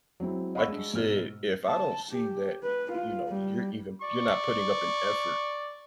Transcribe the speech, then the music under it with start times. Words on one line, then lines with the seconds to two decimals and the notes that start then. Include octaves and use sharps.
like you said, if I don't see that, you know, you're even you're not putting up an effort
0.20 F#3 G#3 C4 E4
0.55 D#5 F5 F#5 B5 C#6 E6
0.68 G#3 D4
0.94 G#2 B2 F6
1.67 A5
2.12 G4
2.63 B4
2.92 F4
3.29 G3
4.02 D5 C#6